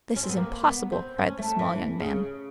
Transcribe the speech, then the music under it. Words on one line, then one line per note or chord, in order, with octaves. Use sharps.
"This is impossible!" cried the small young man.
C#4
C4
B3
A#3
B3
C4
C#4
A3
E3
C#3